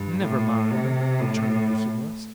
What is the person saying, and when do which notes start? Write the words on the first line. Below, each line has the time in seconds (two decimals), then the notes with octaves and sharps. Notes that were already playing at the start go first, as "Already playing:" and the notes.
"Never mind," returned the humorist.
Already playing: G2
0.22 A2
0.72 C3
1.21 A2